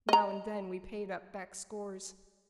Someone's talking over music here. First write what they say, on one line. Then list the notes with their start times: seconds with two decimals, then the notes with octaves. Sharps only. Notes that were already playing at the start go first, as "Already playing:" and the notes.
Now and then we paid up back scores.
0.09 D#5 A#5